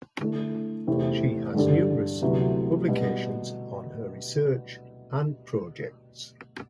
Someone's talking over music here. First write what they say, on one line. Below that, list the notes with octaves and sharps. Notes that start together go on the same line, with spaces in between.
She has numerous publications on her research and projects.
D3 A3 E4 A4
E2 C3 E3 A3 C4
G2 D3 G3 D4 A4
D2 C3 F#3 B3 E4
B2 G3 B3